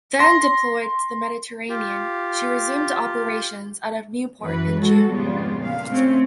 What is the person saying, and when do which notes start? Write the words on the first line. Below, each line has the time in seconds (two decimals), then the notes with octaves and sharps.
Then deployed to the Mediterranean, she resumed operations out of Newport in June.
0.19 C6 A#6
1.69 F4 G4
4.40 F#2 E3 B4
4.78 F#3 G#3 F#4 A4
5.11 F2 G#2 C#3 G3 B3 F4
5.59 A#2 F5
5.89 A3 C4 C#4